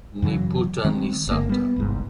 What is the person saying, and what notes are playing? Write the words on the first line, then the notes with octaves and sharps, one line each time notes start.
Ni Puta ni Santa.
F#2 C#3 E3 F#3
D#3 G#3 B3 C4
G1 A#3
G3 B3
G1 C2 G#2